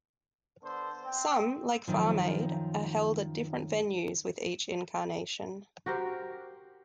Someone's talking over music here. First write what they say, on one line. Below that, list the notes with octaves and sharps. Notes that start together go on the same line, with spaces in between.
Some, like Farm Aid are held at different venues with each incarnation.
D3 B3 A4 C5
C4
F#2 D#3 F3
F#4 G4 A#4 C5